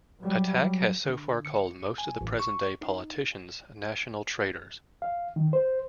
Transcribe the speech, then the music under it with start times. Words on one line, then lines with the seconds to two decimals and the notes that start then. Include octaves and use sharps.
Attack has so far called most of the present-day politicians national traitors.
0.20 F#3 G3
0.50 F#3
1.06 D3
1.45 C#7
1.98 G#5
2.21 A1
2.39 C#6
2.81 D#4
5.02 F5
5.36 D#3
5.53 C5